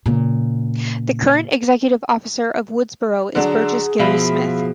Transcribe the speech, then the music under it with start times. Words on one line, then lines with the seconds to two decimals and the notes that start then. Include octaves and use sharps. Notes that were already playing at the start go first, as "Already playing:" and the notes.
The current executive officer of Woodsboro is Burgess Gary Smith.
0.06 A#2 C#3
3.35 D3 F#3 D4 G#4
3.99 B2 F3 F4 E5 B5